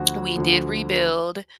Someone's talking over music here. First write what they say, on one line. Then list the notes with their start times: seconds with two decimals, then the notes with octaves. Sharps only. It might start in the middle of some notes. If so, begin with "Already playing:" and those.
we did rebuild
Already playing: D2 D3 F3 F#4
0.36 D2 D3 F3